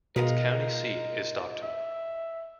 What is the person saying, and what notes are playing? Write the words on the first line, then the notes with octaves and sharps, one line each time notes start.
Its county seat is Stockton.
B2 G#3 D#4 F4 A#4
E5